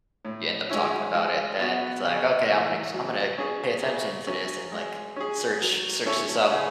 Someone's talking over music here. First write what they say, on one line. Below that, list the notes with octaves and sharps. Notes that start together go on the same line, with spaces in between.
you end up talking about it, then it's like, "Okay, I'm gonna k I'm gonna pay attention to this," and, like, search search this up
A2
G#3 C#4 E4
G#3
B3 F#4
C#3
E3 A3
F#3
C#4 G#4
C#3
F#3 C#4
G#3
C#4 G#4
F#3
C#4 E4 A4 C#5
C#3